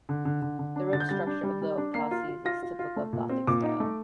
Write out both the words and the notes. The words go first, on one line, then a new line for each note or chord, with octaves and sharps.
The ribbed structure of the apses is typical of Gothic style.
D3
D3
D3
D3
D4
D3 A6
G6
G3 A6
D4
G3
G3
D4
A#3 C7
F4
F4
F4 A#6
F4
F4
A3
A#2
C4
A#2 D6
D#4
A3